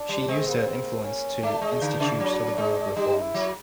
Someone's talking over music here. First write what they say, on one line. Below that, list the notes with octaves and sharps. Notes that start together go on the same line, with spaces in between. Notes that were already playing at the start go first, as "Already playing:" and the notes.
She used her influence to institute liberal reforms.
Already playing: D4
G3
G#3 C4
A#3
C4
C#4
A3 D4
G#3
D3
C#3
F#3
G#3
G3 D#4
E4
F#3